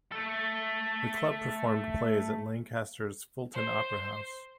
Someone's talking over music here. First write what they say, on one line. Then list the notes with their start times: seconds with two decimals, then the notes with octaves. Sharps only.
The club performed plays at Lancaster's Fulton Opera House.
0.12 A3 A4
3.54 C5